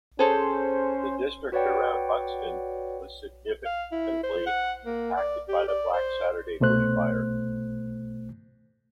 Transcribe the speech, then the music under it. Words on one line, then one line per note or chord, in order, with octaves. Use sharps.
The district around Buxton was significantly impacted by the Black Saturday bushfires.
C#4 G#4 A4 C5 C#5
F#4 B4 C#5 D5 F#5 G5
F5
E4
C5
F#5
A#3
D5
G4
D5
C5
C2 B2 A3 C5 F#6